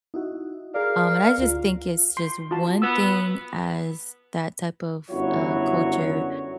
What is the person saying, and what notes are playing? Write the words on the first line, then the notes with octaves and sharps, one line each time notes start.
um, and I just think it's just one thing as that type of, uh, culture
D#4 E4 F#4
G#4 A#4 D5 F5
D2 F4
C6
F4 F#4 A5
B3 E6
G1 F#2 F#3 E4 F#4 C#5